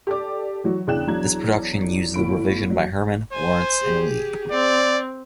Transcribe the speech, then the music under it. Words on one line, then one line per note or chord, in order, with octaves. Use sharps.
This production used the revision by Herman, Lawrence and Lee.
G4 A4 D5 D6
E3 F#3 F#4
E2 C#3 D4 G5 F#6 E7
E2 F#3 D4 A#5 G#6
G1 A2 B5 D7
F#3
C5 G#5
G4 G#4
C4 D5